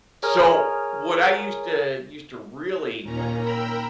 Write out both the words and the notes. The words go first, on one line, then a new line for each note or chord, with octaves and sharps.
So, what I used to used to really
G#4 A#4 C#5 G#5 A#5 F6
D#2 A#2 D#3 C#4 A#5
A#4 G5 A#5 B5 E6